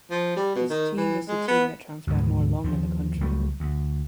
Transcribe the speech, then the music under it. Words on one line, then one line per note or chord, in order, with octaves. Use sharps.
His team is the team that transplant more lung in the country.
F3
G3
B2
D#3
E3
G#3
B3
D2 G#2 B2 E3
D#2 F3
C#2 F#3 G3 A3
D2